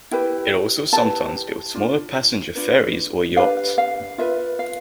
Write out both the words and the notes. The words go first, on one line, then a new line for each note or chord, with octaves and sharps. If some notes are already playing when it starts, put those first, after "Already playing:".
It also sometimes builds smaller passenger ferries or yachts.
E4 G4 B4 G5
E4 G4 B4 A5
D4 F4
D4 F4 B4
D4 G4 B4 F5
F5
F4 B4 E5
F5